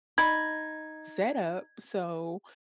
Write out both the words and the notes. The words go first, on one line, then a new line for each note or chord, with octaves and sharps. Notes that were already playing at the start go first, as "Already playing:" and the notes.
setup, so
D#4 B5 G#6